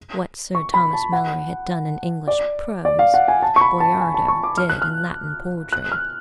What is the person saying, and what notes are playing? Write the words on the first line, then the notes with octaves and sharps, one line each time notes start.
What Sir Thomas Malory had done in English prose, Boiardo did in Latin poetry.
C#6
B5
A5
F#5
D5
D5
F5
F#5
G#5
A5
C#6
B5
A5
G#5
A5
C#6
D6
F6
F#6
F6
F#6
F6